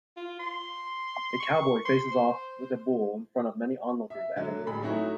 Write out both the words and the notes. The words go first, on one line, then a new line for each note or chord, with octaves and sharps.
A cowboy faces off with a bull in front of many onlookers at a rodeo.
F4
C6
C#6
C6
C5
E5
D3 F#3
A1 G#4 B5
F#3 A3 C#4 D#4 E4 F#4